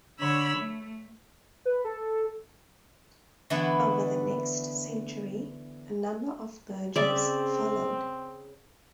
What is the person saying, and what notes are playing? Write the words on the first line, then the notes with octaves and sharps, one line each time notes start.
Over the next century, a number of mergers followed.
D3 C#5 B5 E6
A3
B4
A4
D3 E3 A3 B3 E4
C#3 C4 D5 E5